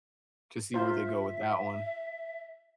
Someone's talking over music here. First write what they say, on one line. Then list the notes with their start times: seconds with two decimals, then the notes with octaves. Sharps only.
to see where they go with that one.
0.74 F4 C5 E5